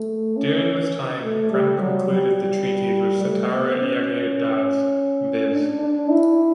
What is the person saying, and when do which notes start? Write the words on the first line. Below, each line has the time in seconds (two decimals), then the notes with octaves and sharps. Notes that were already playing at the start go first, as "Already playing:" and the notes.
During this time, Grant concluded the treaties with the Satara jagirdars, "viz".
Already playing: A3
0.37 C#4
1.23 A3
1.52 G3
1.80 F#3
2.09 G3
3.23 A3
3.53 B3
3.81 C#4
5.53 D4
5.82 D4
6.10 E4